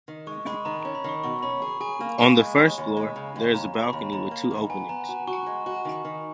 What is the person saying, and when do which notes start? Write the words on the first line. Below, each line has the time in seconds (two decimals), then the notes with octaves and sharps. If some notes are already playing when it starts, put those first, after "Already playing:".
On the first floor, there is a balcony with two openings.
0.08 D#3
0.27 G#3 C#6
0.47 G#3 B5
0.65 D#3 A#5
0.80 C#4 A#5
0.95 B5
1.04 D#3 C#6
1.23 B2 C#6
1.43 C#4 B5
1.62 G#4
1.80 G#4 G#5
2.01 A#3
2.19 A#3
2.39 G#3
2.58 D#2
2.78 D#2
2.97 G#3
3.16 C#3
3.36 D#2
3.54 D#2 A#5
3.74 D#2
3.83 B5
3.93 D#2
4.12 D#2 A#5
4.31 A#3
4.51 D#3
4.70 B3 G#5
4.89 B3 A#5
5.09 F#4
5.27 F#4 C#6
5.46 G#3
5.66 F#4
5.85 D#3
6.05 D#3